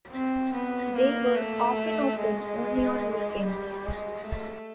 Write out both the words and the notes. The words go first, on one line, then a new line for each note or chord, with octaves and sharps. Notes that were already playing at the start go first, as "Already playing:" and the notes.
They were often open only on weekends.
C4
B3
A#3
A3
G#3
G3
G#3
A3